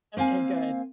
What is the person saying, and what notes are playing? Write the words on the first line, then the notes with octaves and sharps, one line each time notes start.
Okay, good.
A#3 C4 F5 G#5